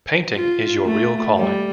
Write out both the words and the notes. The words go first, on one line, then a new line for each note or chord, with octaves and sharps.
Painting is your real calling.
F4
A3
G3